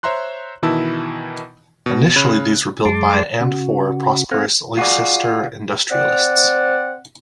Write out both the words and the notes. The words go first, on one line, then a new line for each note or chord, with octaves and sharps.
Initially these were built by and for prosperous Leicester industrialists.
C5 C#5 E5 A#5 C6 F#6
B2 D#3 E3 E4 A5 E6
B2
C#3 C#5 B5 F#6
F#2 G#3 A5 C6 D6
C#3 F#4
C4 A4 F5 F#5 G#5 A#5
F4 F#4 G#4 D5
C4 D5 F#5